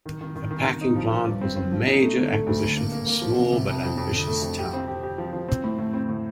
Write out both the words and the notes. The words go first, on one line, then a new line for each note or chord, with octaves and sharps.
A packing plant was a major acquisition for a small but ambitious town.
D#3
D#3
D#3
D#3
D#3
D#4
F3
F3
G2
C4
C4
F3
D#4
A3
D3
A3
D2
D3
A#3
A#3
A#3
F3
C3
C3
F2
F2
F2
D3
A3
F2
G4
C4
G4
G4
F3
F3
C4
A2
A2
C4
A2